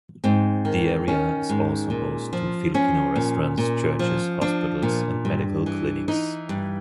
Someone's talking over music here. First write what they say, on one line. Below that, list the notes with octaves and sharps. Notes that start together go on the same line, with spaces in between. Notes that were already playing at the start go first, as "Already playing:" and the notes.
The area is also host to Filipino restaurants, churches, hospitals and medical clinics.
G#2 C4
D#3
D#3 C#4
G#2
A#2
F3
F3 C#4
A#2
A#2
F3
F3 D4
A#2
G2
E3
E3 D#4
G2